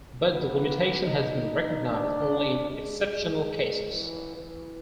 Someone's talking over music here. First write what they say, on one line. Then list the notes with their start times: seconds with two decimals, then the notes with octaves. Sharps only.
But the limitation has been recognized only in exceptional cases.
0.23 B3
1.05 D#4
1.88 D4
2.71 G#3
3.95 E3
4.36 E3